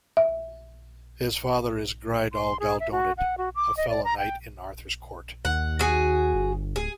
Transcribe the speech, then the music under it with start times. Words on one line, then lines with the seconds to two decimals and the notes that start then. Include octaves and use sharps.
His father is Greidawl Galldonyd, a fellow knight in Arthur's court.
0.17 E5
2.33 C6
2.60 G#4
2.80 E5
2.92 F#4
3.18 F#5
3.38 F#4
3.55 D6
3.77 D#5
3.89 D5
4.04 A#5
4.18 G5
5.45 D#2 F#5
5.79 F#4 G#4
6.34 G1
6.76 D1 G#4